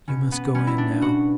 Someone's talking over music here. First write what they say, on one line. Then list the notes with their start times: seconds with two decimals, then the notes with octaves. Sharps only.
"You must go in now!"
0.08 B2 C#4
0.32 B3
0.55 G3 B3 C#4
0.67 E4
0.78 D4
1.01 B2 F#4